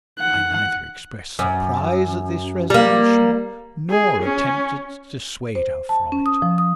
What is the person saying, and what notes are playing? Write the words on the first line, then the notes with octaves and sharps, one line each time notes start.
I neither expressed surprise at this resolution nor attempted to dissuade her from it.
F#5
F#2
G3 A#3
G#4
C#4
C5
A5
C#4
D#6
F3
D#6